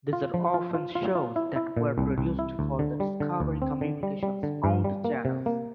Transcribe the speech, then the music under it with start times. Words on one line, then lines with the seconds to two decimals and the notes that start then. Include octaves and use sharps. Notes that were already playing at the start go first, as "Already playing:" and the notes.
These are often shows that were produced for other Discovery Communications-owned channels.
0.13 F4
0.34 F3
0.54 F4
0.75 F4
0.95 F4
1.15 F4
1.36 E4
1.56 E4
1.77 A#2
1.98 C2
2.18 C2
2.39 E4
2.59 D2
2.79 D3
3.00 G3
3.20 D3
3.40 D2
3.62 C4
3.81 D3
4.03 G3
4.23 G3
4.43 D3
4.64 G2
4.84 G3
5.05 A#3
5.25 C3
5.46 A#3